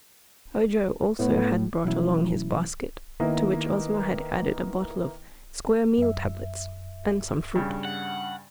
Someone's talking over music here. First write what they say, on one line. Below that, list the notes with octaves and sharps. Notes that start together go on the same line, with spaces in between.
Ojo also had brought along his basket, to which Ozma had added a bottle of "Square Meal Tablets" and some fruit.
A2 B3
B2 E3 F#3 A3 C#4 E4
D#3 A#3 B3 E4 D#5
F#2 E5
G2 C#3
F#5